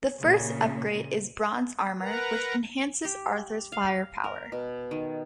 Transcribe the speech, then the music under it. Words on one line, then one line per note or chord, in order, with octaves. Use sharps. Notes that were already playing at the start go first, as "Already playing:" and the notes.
The first upgrade is bronze armor which enhances Arthur's firepower.
A#2 C#3
A#4 B4 F#5 A#5
G4
F5
A#4
B2
D#3